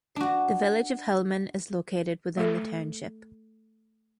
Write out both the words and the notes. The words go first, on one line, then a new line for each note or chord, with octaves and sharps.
The village of Hillman is located within the township.
D4 F#4
A3 A4